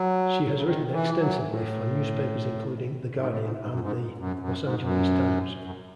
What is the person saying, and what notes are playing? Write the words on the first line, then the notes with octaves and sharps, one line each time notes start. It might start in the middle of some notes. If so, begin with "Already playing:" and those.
She has written extensively for newspapers including "The Guardian" and the "Los Angeles Times".
Already playing: F#3
C#3
D#3
E3
F#3
A2
G#2
A2
G#2
G#2
F#2
G#2
F#2
F#2
G#2
F#2
F#2